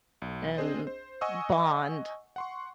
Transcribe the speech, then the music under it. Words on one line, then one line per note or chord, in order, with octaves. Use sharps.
and bond.
B1
C4 D4 G#4 C5 D#5
C5
D#5 F#5 G#5 C#6 D#6 E6
F#5 C6 C#6